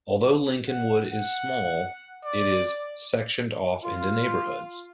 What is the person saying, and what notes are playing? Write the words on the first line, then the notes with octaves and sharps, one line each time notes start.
Although Lincolnwood is small, it is sectioned off into neighborhoods.
F#5
F#5
D5
F4